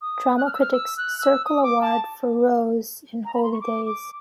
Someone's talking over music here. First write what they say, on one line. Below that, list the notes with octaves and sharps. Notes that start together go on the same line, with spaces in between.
Drama Critic's Circle Award for Rose in "Holy Days".
D#6
F#6
F6
E6
F6
E6
F#6
E6
D#6
D6
A5
A#5
B5
C6
C#6
D6
D6